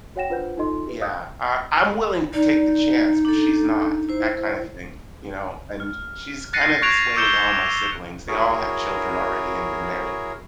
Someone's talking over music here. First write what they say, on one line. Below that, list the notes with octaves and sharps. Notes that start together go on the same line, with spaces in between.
Yeah. I I'm willing to take the chance, but she's not. That kind of thing, you know? And she's kinda this way with all my siblings, they all have children already and been married,
F#4 C#5 F#5 G5 A#6 E7
D4 F4 B4 C5 F#5 G6
D#4 F4 A4 D#5 C6
G4 B4
D#5 F5 D#6 E6 F#6 G6
D#4 D5
D4 A4
E4 C5
F6
F#6 A6 A#6 C7 C#7 D#7
C#6 F#6 G#6 A#6 D7 F7
D6 E6 G6 C#7 E7 G7
E4 F#4 G#4 A#4 C#5